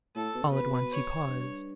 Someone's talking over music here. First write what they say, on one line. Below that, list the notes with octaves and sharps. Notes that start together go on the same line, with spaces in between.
All at once he paused.
A2 A4
B2
C#3
B2 B4
C#5
F#2
G2